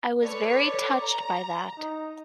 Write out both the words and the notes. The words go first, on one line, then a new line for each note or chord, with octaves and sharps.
I was very touched by that.
A4 B4 C#5 D5
A#5
D#4